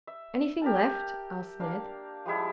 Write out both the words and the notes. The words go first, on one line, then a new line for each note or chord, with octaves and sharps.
"Anything left?" asked Ned.
E5
G4 A#4 A5
A#3 D4 F5
F3 G3 G#3 E4